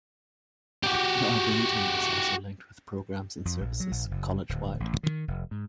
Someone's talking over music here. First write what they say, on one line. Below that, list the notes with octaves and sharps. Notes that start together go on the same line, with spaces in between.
The Arboretum is also linked with programs and services College-wide.
F#4 G4
F2
A#1
F#3
A#1
F#1
D1
A1
D#3
F1
G#2